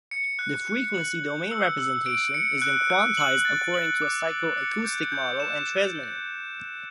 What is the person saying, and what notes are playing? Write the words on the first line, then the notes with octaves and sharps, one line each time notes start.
The frequency domain representation is then quantized according to a psycho-acoustic model and transmitted.
C#7
F#6
F#6
F#7
G6
E6
E6
D7
C#7
F#6
F#6
F#7
A6
F#7
D6
D7
C#7
G6
G6
E7